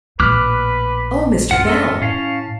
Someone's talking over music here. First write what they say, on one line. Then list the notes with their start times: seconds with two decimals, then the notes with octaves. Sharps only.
'Oh, Mr. Bell!
0.20 A#1 A2 B4 D6 F6 F#6
1.51 F#2 F4 F#5
1.67 A4 D#5 E5
2.02 A2 C#4 F5 A5